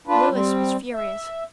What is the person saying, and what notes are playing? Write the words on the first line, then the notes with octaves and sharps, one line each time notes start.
Louis was furious.
D4 F4 B4
G3 C4
E5